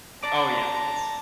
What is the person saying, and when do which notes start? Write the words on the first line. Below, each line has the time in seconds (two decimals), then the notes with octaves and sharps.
Oh, yeah, it's
0.23 D4 D5 A5 A#5 D6